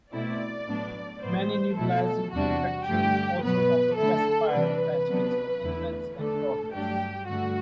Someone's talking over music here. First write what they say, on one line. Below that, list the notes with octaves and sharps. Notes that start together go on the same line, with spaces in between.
Many nebulizer manufacturers also offer pacifier attachments for infants and toddlers.
B2 A3 C4 E4 D5
A2 F#3 B3 D4
A2 E3 B3 C5
B2 A3 E4 A4
E2 C3 G3 D4 F#4
G2 D3 A3 G4
B2 F#3 B3 B4
D3 A3 E4 A4
C3 E3 G3 D4 B4
C3 F#3 B3 D4
E2 D3 A3 E4
D3 A3 D4 A4
G2 F#3 A3 D4 G4
G2 D3 A3 F#4